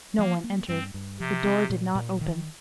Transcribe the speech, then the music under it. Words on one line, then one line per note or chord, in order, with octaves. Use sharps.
No one entered; the door did not open.
F3 A#3
A#3
G2 C4
G2
C3 F3
C4
A#2
A#2
D#3